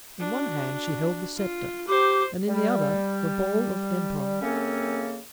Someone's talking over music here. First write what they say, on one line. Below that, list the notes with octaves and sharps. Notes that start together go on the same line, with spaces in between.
In one hand she held the scepter, and in the other the ball of empire.
D4 F#4
F4
G4 C5 D6
G3
F#2 C#3 A#3 C4 C#4 A4